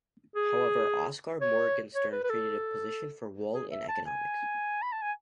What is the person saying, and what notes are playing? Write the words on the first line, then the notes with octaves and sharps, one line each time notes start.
However, Oskar Morgenstern created a position for Wald in economics.
G#4
C#5
C#5
B4
B4
A4
G#4
E5
A5
G#5
B5
A5
G#5